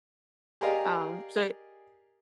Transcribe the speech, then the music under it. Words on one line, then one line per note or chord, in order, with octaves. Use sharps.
um, so
G4 G#4 A#4 D5 D#5 F5